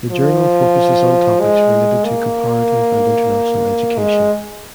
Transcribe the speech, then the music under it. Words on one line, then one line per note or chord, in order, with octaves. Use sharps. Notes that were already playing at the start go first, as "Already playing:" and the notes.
The journal focuses on topics related to comparative and international education.
F3
G#3
A#3
G#3